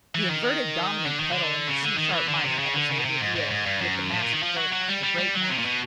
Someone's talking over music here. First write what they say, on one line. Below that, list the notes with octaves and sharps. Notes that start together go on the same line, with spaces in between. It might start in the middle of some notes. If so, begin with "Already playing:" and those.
The inverted dominant pedal in the C sharp minor episode reveals, with the massive coda, a great master.
E3
D#3
D3
D#3
D3
C#3
D3
D#3
E3
D3
C3
C#3
D3
C#3
B2
C3
G#2
G#2
G#2
G2
F#2
A2
A#2
D#3
F3
F#3
F#3
G3
G3
G3
F#3
C3
A#2
B2